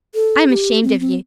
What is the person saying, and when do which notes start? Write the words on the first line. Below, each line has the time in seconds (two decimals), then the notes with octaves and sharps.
I am ashamed of you.
0.15 A4
0.49 G4
0.83 C4
1.00 C4